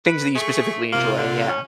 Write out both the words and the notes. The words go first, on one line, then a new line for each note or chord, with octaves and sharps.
Things that you specifically enjoy, yeah.
B4
A3 G#4 C#6
C3 A#3 F4
D3
C#4